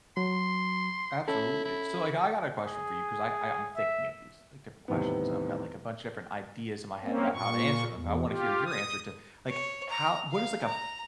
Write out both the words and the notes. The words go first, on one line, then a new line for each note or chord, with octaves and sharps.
Absolutely. So, like, I got a question for you ‘cause I I I'm thinking of these, like, different questions. I've got, like, a bunch of different ideas in my head about how to answer them, but I wanna hear your answer to, like, how what is, like, a
F#3 C6
C#4 E4 A4
E4
G#4
E5
E2 A2 C3 D#3 G3 B3
A#3 C4 C#4
A#2 C#6
E2
F4 G4
D#6
C#5
A#5
F5
A#5